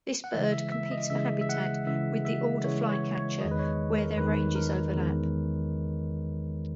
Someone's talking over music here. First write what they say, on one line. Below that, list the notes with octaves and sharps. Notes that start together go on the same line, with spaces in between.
This bird competes for habitat with the alder flycatcher where their ranges overlap.
F#5
C#3 E3 G#3 E5
E5
E5
D#5
C#3 E3 G#3 E5
E5
F#5
C#3 E3 G#3 E5
E5
C#3 E3 G#3 C#5
C#5
C#5
E2 D#3 G#3 D#5
B4
C#5
A#4
E2 D#3 G#3 B4
A#4
E2 D#3 G#3